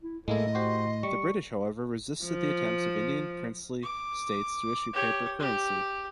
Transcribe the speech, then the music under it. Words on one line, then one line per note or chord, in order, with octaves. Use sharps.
The British, however resisted the attempts of Indian princely states to issue paper currency.
E4
A2 G#3 A#3 E4 A4 D#5
F#4 G4 C5 C6
G3 C#6
F3
D6
G4 C#5
G4